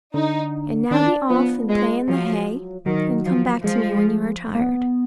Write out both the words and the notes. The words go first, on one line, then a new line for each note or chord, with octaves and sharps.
And now be off, and play in the hay, and come back to me when you are tired.
D3 D#4
D#3 D4
F3 B3
G#3
F3 F#3
D#3 F#3
F3
F3 G#3
A#3
B3